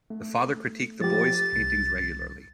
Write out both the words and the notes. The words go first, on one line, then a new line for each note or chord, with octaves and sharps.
The father critiqued the boys' paintings regularly.
A3
F3 A3 G4 A6
C2